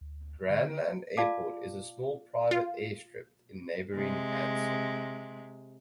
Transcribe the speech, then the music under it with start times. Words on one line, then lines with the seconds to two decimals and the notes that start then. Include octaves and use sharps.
Cranland Airport is a small private air strip in neighboring Hanson.
0.01 D2
0.49 D3
1.17 F4 D5 F5 A5 D6
2.51 F4
3.95 C3 G#3